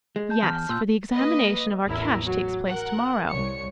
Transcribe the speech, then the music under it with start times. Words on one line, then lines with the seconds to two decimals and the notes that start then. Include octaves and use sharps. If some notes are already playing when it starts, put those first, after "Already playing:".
"Yes; for the examination of our cash takes place to-morrow."
0.16 G#3
0.30 A5 G6
0.43 E2 F6
0.69 A#2 C6 E6 G6
1.12 A#3 B4 D#5
1.85 A1 E2 E4 A#4
2.25 F#3
2.67 A#4 F#5
3.28 C2 C#5 C#7